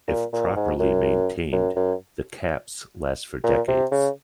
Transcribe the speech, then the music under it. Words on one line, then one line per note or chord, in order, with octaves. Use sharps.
If properly maintained, the caps last for decades.
A#2
A#2
G#2
F#2
F#2
F#2
A#2
C3
C#3